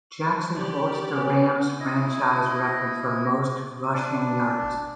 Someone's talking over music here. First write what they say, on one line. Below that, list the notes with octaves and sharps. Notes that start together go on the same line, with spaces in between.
Jackson holds the Rams franchise record for most rushing yards.
G4 D5
B3 C#4
E4 D#5
D4